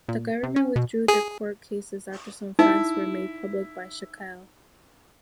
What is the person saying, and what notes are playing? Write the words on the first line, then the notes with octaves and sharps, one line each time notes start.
The government withdrew their court cases after some facts were made public by Shakil.
A#2
C3
C#4
B2
G#4
D#4 E4